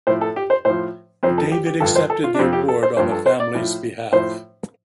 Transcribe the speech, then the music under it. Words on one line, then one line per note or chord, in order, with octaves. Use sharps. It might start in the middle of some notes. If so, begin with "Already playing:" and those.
David accepted the award on the family's behalf.
A2 F3 C5
A4
G4
C5
A2 F3 C5
F2 F3 C5
A4
G4
G4
G2 D3 F3 A4
C5
A4
F4
D4
F2 F3 C4
G4
A4
C5
G2 F3 C5
A4
C5
D5
A2 F3
A2 F3 C5